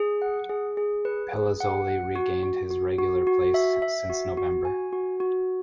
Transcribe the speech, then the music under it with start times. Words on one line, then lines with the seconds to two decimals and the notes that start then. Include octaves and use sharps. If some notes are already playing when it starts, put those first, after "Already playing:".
Pelizzoli re-gained his regular place since November.
Already playing: G#4
0.22 F#5
0.49 G#4
0.77 G#4
1.05 B4
1.32 G#4
1.60 F#5
1.88 F#5
2.15 F#4
2.43 F#4
2.71 F#4
2.99 F#4
3.27 F#4
3.54 E5
3.82 E5
4.10 F#4
4.37 F#4
4.65 G#5
4.93 F#4
5.20 F#4